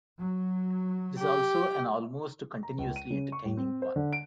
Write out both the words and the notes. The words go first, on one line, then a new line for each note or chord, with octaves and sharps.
It is also an almost continuously entertaining one.
F#3
G4
A#5
C#2
D#7
C#3
C#6
A2
C4
C5
D3
D7